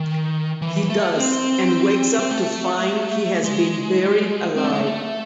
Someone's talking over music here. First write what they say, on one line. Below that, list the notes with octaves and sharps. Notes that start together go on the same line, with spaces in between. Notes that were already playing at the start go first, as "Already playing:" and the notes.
He does, and wakes up to find he has been buried alive.
Already playing: D#3
E3
A3
C4
C4
A3
G#3
C4
A3
G#3
A3